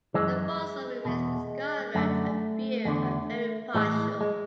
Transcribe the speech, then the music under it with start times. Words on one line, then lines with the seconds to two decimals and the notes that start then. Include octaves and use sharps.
The fossil remains discovered are few and very partial.
0.14 F#2 E3 G#3
1.05 E2 B2
1.95 F#2 D3 A3
2.85 E2 D3
3.75 A2 E3 G#3
4.21 G#3